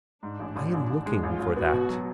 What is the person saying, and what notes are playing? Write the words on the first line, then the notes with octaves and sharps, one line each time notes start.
I am looking for that.
G#2 D4
A1
A1
A1
A1
G#3
A1 F4
A1
B3 F#4
B2
F#3